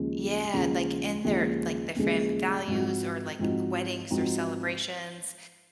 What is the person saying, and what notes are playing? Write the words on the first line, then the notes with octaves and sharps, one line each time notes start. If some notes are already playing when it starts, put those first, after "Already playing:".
Yeah, like, in their like, their family values or, like, weddings or celebrations.
Already playing: D#2 C#3 F3 G#3
D#2 C#3 F3 G#3
D#2 C#3 F3 G#3
D#2 C#3 F3 G#3
G#2 F3 C4 D#4 F#4
G#2 F3 C4 D#4 F#4
G#2 F3 C4 D#4 F#4